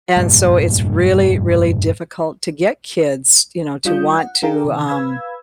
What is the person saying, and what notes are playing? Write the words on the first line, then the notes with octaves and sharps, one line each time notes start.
and so, it's really, really difficult to get kids, you know, to want to, um
F1 G2 A#2 G3
G3 D4 F4 D5 D#6 G6
F#5
D4 G#4 A#4 F5 G5 A#5
C3 D#3
B4 F5 B5 E6 G#6